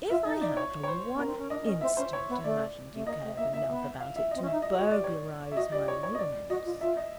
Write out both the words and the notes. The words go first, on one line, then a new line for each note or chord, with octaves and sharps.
If I had for one instant imagined you cared enough about it to burglarize my rooms ...
F4 E5
D#4 D#5
D5
C#5
C#5
C5
B3
A#4
C4
C#4
D4 D#5
D4
C#4 D#5
C4 E5
C#4 C5
C#5
B3
A3 D5
A3
A#3 D#5
A3
A#3 E5
A#3 E5
B3
F5
E5
C4 D#5
C#4
E5
D#4
D#5
G4
F#4 C#5
G4 D5
C#5
E5
F#4 D#5
G4 D5
C#5
C#5
D#5
D5
F#4 D#5
F4
F4 E5
D#5